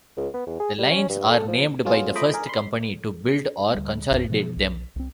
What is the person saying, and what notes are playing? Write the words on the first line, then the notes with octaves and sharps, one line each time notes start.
The lines are named by the first company to build or consolidate them.
C#2
B3
E2
G#4
G3
C#4
G2
A4
F3
F#3 G#3 B3 C#4 F4 G#4
F3 A3 C5 D#5 B5 D6
G#4 A#4
B5 C6
D2 G3
A#1 F#2
B2 F3 B3
B1
C2 C4